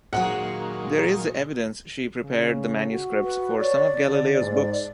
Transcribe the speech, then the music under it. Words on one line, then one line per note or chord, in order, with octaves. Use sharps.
There is evidence she prepared the manuscripts for some of Galileo's books.
D#2 A#2 D#3 F#3 G#3 F#4 F#5
C#3
F#4
B4
C#5 D5
D3
G#2